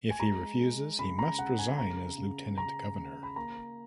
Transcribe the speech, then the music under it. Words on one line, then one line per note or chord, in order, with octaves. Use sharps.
If he refuses, he must resign as Lieutenant Governor.
G#5
G#3 A#5
G#3
C#3 B5
A#5
C#3 F#5
G#5
C#3 A#5
C#3
C#3 A#5
C#3
B5
A#3 A#5